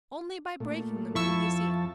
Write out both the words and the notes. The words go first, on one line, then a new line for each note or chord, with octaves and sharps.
Only by breaking them could he see.
A#2 A3
F2 F3 E4 A5 C#6 E6